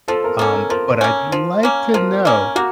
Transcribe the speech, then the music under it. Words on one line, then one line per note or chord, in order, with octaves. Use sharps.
um, but I'd like to know
F3 A4
A#4
A#3 C#4 A4
A#4
F3 A#4
A#3 C#4
F3
A#3 C#4
F3 A#4
A#3 C#4
A#3 F#4